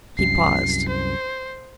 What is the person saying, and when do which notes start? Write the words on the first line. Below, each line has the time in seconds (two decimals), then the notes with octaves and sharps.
He paused.
0.19 C2 F#2 C7
0.89 C5